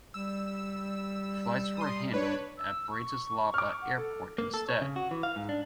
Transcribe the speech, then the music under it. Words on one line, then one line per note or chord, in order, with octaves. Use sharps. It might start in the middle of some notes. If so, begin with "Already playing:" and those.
Flights were handled at Bratislava Airport instead.
G3 E6
C6 D#6
D4 B4 C#5
E6
C#6
D6 F6
F#5
A4
A#3
A4
C#5
C#3
F#4
E3
F5
G#2
D4